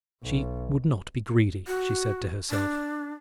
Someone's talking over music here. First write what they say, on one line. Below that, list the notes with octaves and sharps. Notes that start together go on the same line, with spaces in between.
She would not be greedy, she said to herself.
B1
F#4
D4